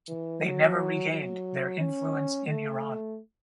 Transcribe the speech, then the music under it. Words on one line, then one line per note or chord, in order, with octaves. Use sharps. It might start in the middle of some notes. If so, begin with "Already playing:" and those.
They never regained their influence in Iran.
E3
F#3
F#3
C#4
A3